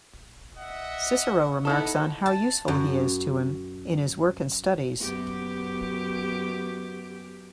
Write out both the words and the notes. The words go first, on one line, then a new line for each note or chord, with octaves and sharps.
Cicero remarks on how useful he is to him in his work and studies.
D#5 E5 F#5
B3 D#4 E4 A4 F#5
A5
F#2
F#2 B3 G4